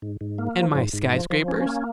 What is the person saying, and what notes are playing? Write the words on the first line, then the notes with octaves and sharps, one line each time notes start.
"And my sky-scrapers?"
G#2
G#2
A#3
F3
G#2
G#2
F3
F3
C#4
A#3